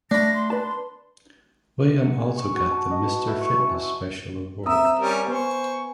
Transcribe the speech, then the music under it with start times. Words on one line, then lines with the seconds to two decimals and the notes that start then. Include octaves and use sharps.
William also got the Mister Fitness special award.
0.11 A3 D4 B5 A#6
0.35 C6
0.50 B4 D5 A5
1.99 F#5
2.19 G#4
2.38 C#6
2.55 F#4
2.71 A5
2.91 D#5
3.06 B4
3.27 E4
3.41 C#6
3.58 C#4
3.74 E6
4.66 C4 E5 A#5 D#6 E6
4.99 G3 C#4 A#4
5.27 B3 B4 C5 G#5 C#6